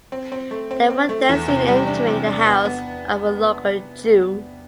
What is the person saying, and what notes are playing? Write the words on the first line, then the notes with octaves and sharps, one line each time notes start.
They were then seen entering the house of a local Jew.
C4
C4
A3
C4
C4
A3
E2
C3
G3
D4
C3
D4
B3
B3